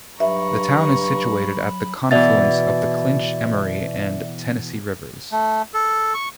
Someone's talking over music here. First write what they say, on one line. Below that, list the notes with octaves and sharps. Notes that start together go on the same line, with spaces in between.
The town is situated at the confluence of the Clinch, Emory, and Tennessee rivers.
G2 F#3 E5 A#5 B5 C#6
B2 E3 D5 E5 A6
A3
A4
C#6